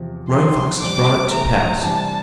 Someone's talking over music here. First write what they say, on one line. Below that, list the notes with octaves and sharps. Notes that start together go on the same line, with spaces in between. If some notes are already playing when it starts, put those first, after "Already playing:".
Running Fox has brought it to pass.
Already playing: E2 C3 F3
F2 C3 F3 C4 C6
F2 D3 G3 D4 D6
C3 E3 A3 A#5
C3 E3 G3 D4 A5